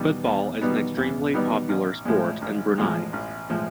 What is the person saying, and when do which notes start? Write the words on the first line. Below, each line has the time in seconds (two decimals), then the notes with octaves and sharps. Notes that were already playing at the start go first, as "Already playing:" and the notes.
Football is an extremely popular sport in Brunei.
Already playing: E2 B2 G3 B3 D#4
0.25 E2
0.61 B2 G3 B3 D#4
0.97 E2
1.33 B2 G3 B3 D#4
1.69 A1
2.05 A2 F3 G#3
2.42 A1
2.78 A2 F3 G#3
3.13 A1
3.50 A2 F3 G#3